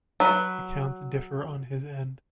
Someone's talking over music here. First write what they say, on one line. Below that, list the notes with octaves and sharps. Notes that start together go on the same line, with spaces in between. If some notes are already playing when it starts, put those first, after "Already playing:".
Accounts differ on his end.
F#3 B4